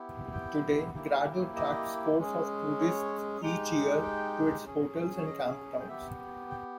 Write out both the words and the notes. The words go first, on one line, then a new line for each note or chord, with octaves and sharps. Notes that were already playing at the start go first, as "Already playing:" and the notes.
Today, Grado attracts scores of tourists each year to its hotels and campgrounds.
Already playing: B3 E4 G4
G5
A#3 E4 G4
D#5
G#3 C#4 G#4
C#5
G#3 D#4 G4
G5
C#4 G#4
C#5
D#5
G5
B3 G4 E5
G5